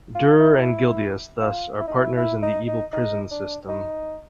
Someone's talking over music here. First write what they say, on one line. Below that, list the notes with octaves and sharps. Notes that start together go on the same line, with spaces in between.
Durer and Guildias thus are partners in the evil prison system.
F4
E4
F4
E4
D#4
E4
E4
D#4
D#4
D#4
D4
D#4